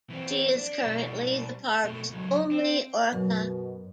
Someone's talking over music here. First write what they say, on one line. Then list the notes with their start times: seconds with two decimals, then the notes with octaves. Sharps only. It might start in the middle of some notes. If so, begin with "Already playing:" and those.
She is currently the park's only orca.
0.10 E3 C4
0.56 D4
0.82 B2 G3
1.84 B2 A3
2.10 C#2 F#3
2.51 C4
3.13 F#2 B2